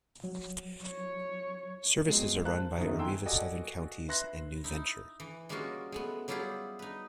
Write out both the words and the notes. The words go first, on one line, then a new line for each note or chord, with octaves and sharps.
Services are run by Arriva Southern Counties and Nu-Venture.
F#3
C#5
F#3 G#3 B3 C4
A#4 C5 F5 A5 A#5 F#6
F#2 D#3 A3 B3 D#4 E4
G5 G#5 A#5 C6 E6
F#4 G4 A4 D5 D#5 G#5
B4 E5 C6 F#6 A#6
D#4 E4
E3
G3 G#3 A#3 C#4 F4 F#4
G#3 A3 B3
F#3 G3 E4 F4 G4 G#4
D#4 B4